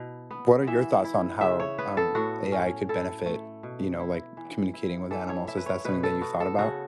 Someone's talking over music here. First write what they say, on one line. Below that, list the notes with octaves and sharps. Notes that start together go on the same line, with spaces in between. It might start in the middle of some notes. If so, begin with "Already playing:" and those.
What are your thoughts on how, um, AI could benefit, you know, like, communicating with animals? Is that something that you've thought about?
Already playing: B2 E4
B3
E3 E5
E4
C#3 E5
C#5
B3 B4
A4
A2 F#4
C#4
E4 A4
A3
B2
E4
E3
E4
E3 A4
C#5
E4 E5
B4
C#5
B2 B4
A4
B3 F#4
A4
C#3 F#4